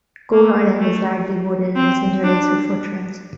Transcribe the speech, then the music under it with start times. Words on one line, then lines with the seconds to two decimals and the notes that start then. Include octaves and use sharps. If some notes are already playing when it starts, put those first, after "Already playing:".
Goat island is largely wooded and is interlaced with foot trails.
0.33 A#3
0.80 A3
1.76 C4
2.24 D4